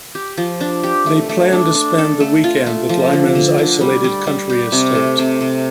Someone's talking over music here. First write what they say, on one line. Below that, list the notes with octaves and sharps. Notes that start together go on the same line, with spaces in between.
They plan to spend the weekend at Lyman's isolated country estate.
G4
F3
D4
G4
A3
A3
D4
D4
A4
A3
F4
A3
F3
D3
D3
D3
G3
G3
G3
G4
C3
A3
C3
C3